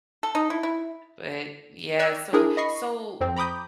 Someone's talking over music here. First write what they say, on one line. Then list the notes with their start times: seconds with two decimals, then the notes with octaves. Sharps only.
But yeah, so, so,
0.23 A4
0.35 D#4
0.50 E4
0.63 E4
1.99 D5 G5 E6 F#6 G#6
2.33 D4 E4 G#4 A#4
2.57 D#5 B5 C#6 C7
3.21 F2 F3 C4
3.36 A#5 B5 D6 D#6 G6